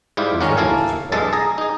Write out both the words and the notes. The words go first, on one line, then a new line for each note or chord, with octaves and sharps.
He was ready with his reply.
G#2 G3 E4 F4 G4
G#1 D#3 C#4 A#4 F#5
A#3 E4 A4 F5 G#5
A#1 G2 G#3 A4 A5
G#4 A#5
D#4 G#4